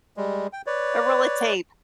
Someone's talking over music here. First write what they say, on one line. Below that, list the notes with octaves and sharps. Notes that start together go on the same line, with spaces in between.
A roll of tape.
G3 G#3
G5
B4 C#5 D5